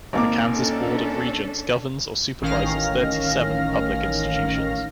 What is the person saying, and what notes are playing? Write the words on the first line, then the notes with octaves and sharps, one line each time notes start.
The Kansas Board of Regents governs or supervises thirty-seven public institutions.
G#1 A#3 D6
C#4 D4 A4
A1 D#3 C#4 F5 F6 A#6